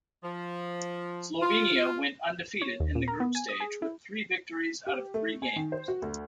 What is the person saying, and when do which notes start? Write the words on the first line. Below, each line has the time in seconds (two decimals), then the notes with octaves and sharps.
Slovenia went undefeated in the group stage with three victories out of three games.
0.23 F3
1.42 F4
2.62 C#5
2.80 D#2
2.95 A#2
3.08 A#4
3.20 B3
3.35 G#5
3.49 D#6
3.60 G#4
3.82 E4
4.87 G4
5.14 A3
5.42 G#5
5.56 D#3
5.72 C5
5.88 F#4
6.02 D2